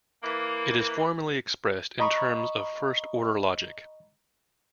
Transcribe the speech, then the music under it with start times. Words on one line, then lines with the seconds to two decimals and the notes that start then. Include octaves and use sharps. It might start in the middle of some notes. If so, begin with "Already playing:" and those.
It is formally expressed in terms of first-order logic.
0.23 E3 A#3
1.99 D#5 A#5 B5 C#6